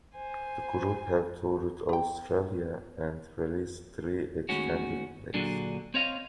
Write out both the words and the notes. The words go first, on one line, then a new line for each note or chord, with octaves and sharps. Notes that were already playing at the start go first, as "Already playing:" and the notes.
The group have toured Australia and released three extended plays.
C5 G#5
G4 G5
D#2 A2 G#3 C#4 F#4
A#2 D3 F#3 D4 G#4
C4 C#5 D#5 F5